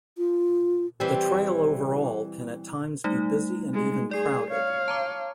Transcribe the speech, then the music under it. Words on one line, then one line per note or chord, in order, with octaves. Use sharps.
The trail overall can at times be busy and even crowded.
F4
E3 G3 C4
G3 A3 D#4
G#3
G#4 D5 C7
C#5 F5
A5 A#5 D6